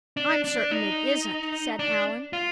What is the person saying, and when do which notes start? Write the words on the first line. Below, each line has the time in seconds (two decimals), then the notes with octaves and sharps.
"I'm certain it isn't," said Allan.
0.17 D4
0.44 D4
0.71 D#4
1.79 D4
2.33 F4